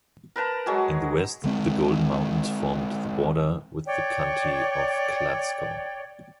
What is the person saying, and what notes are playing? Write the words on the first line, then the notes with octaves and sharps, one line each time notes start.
In the west the Golden Mountains formed the border with the County of Kladsko.
A#4 B4 A5 A#5
F#3 G#3 F#4 G#4
D3 G#3 C4
C#5 D5 G5